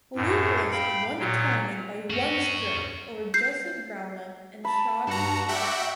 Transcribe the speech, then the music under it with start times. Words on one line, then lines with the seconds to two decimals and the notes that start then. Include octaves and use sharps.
Luke List won the tournament by one stroke over Joseph Bramlett and Shad Tuten.
0.16 F#2 A2
0.72 F5 G5 B5
1.19 A#2 F#3
2.10 C#4 F#4
3.34 G6 C7
4.65 A5 B5
5.07 G2 F#4 F#5 A#5
5.49 F#4 D5 E5 F#5 G5